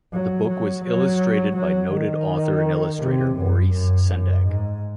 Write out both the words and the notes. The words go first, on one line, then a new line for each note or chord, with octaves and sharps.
The book was illustrated by noted author and illustrator Maurice Sendak.
F#3
F#3
F#3
F#3
D#3
C3
F#2
F#2
F#2
G#2